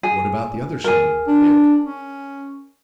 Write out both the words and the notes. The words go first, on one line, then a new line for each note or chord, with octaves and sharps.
"What about the other son--Dick?"
G#4
G#4 A#4
D4
C#4